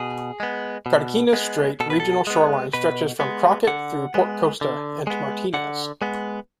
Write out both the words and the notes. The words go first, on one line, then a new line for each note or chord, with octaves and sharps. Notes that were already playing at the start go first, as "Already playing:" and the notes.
Carquinez Strait Regional Shoreline stretches from Crockett through Port Costa and to Martinez.
Already playing: B2 G#4
G#3 B3
B2
G#3 B3
B2 A4
B4
A4
G#3 B3
B2 B4
G#3 B3
D3 F#5
G#3 B3
D3
G#3 B3
D3 F#5
G#3 B3